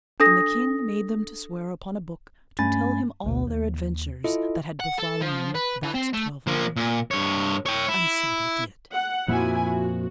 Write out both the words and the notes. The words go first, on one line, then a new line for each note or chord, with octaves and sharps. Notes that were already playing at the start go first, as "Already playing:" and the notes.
Then the king made them to swear upon a book to tell him all their adventures that had befallen them that twelvemonth, and so they did.
D4 A4 D#6 A#6
G2 A3 C#4 G#5 B5 A6
A1 D2 B2
D#2
E4 F4 A4 D#5
F#5
A4
F3
B4
E3
C4
A3
F3 A#3
A#2
G2 C#5
C#5 G5
E4
F#5
F2 A#2 F3 E4 F#4 G#5
F#4